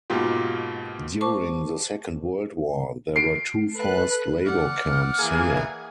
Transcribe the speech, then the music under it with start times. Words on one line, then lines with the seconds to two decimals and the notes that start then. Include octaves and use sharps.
During the Second World War, there were two forced labor camps here.
0.10 G#2 B2 A#3 F4 G4
1.21 C5 A5 C#6 D6
3.16 C7 D7
3.75 A4 B4 F#6
4.45 D5 F#5 F6
5.19 E3 A#3 G#4